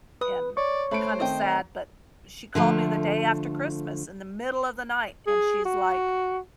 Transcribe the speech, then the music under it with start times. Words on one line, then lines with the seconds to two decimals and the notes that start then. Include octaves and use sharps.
and kind of sad, but, she called me the day after Christmas in the middle of the night and she's like,
0.21 B4 D#6
0.57 C#5 D5 C#6
0.91 A3 B4 C5 B5 D7
1.20 D#3 A3 C4 D#5 G5
2.55 D3 F3 A3
5.27 G#4
5.65 F#4